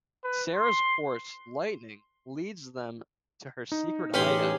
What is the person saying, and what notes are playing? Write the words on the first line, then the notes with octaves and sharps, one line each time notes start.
Sarah's horse, Lightning, leads them to her secret hideout.
B4
C6
D#4
A1 C#4 G4 G#4 B5 C6